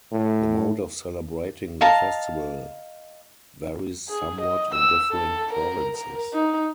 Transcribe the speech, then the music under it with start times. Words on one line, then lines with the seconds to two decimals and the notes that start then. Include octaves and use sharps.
The mode of celebrating the festival varies somewhat in different provinces.
0.12 A2
1.81 D#5 F5 A5 A#5
4.09 G#4
4.41 D#5
4.74 E6
5.11 A4
5.53 A#4
5.95 A#4
6.33 D#4